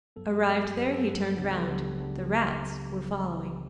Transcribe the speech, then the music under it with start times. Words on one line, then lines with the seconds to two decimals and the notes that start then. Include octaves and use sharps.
Arrived there he turned round; the rats were following.
0.16 G2 F#3 B3 A4
0.31 G4
0.41 A4
0.46 G2 F#3 B3 G4
0.77 G2 F#3 B3 A4
0.92 A4
1.07 G2 F#3 B3 B4
1.37 C#2 C#3 F#3 B3 D4
1.47 G4
1.57 A4
1.67 C#2 C#3 F#3 B3 D4 B4
1.98 C#3 F#3 B3 D4